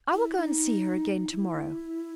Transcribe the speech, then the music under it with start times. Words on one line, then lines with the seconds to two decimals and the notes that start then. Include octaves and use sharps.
I will go and see her again to-morrow.
0.13 E4
0.37 D#4
1.30 E4